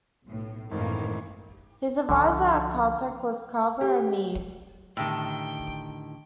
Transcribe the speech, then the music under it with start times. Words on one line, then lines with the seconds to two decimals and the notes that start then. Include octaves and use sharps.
His adviser at Caltech was Carver A. Mead.
0.24 B1 A2
0.71 G#1 F#2 A2 D#3 E3 A3 A#3
2.09 C2 D3 F3
3.81 G4
4.97 A2 D3 D#3 G4 G5